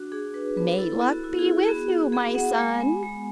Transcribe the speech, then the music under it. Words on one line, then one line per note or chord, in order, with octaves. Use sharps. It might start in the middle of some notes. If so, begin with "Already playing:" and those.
'May Luck be with you, my son.
Already playing: D4 F#4
D4 G#4
D4 B4
B3 B4
E4 A4
B3
F#4
E4
G#4
E4
G#4
B3 F#4
B3
B3 G#4
B3 F#5
G#3 G#5
B3
G#3